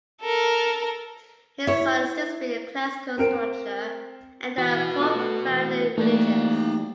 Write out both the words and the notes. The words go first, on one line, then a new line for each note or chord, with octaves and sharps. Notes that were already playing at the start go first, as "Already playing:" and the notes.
His sonnets display a classical structure, and are profoundly religious.
A4 A#4
E4 C#5
C4 A#4 D7
E3 F#4 B4
F4 A4 D#5
A3 A4 F#5
A2 E3
E3 G3 A3 A#3 D#4 D5